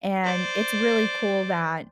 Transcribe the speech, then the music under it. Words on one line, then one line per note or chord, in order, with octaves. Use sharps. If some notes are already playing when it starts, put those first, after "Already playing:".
and it's really cool that
C5 D5